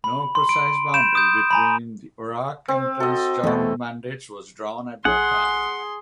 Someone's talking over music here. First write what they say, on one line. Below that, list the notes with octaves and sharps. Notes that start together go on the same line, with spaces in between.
No precise boundary between the Iraq and Transjordan mandates was drawn at that time.
B5
C6
D7
B5 G6 D7 E7
D#6 G6
G#5 A#5 B5
C4
F#4 A4 D#5
E2 B2 A3
A#1 G#4 F#5 C6